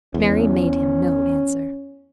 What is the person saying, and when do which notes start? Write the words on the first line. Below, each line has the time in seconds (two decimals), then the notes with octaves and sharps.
Mary made him no answer.
0.14 E2 C#4